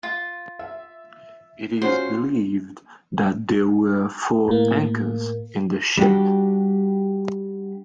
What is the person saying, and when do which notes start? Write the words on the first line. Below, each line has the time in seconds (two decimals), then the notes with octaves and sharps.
It is believed that there were four anchors in the ship.
0.03 F4
0.59 E5
1.82 C#4 F4 F#4 C5
4.48 A2 A#3
5.98 G3 D4 F#4 G4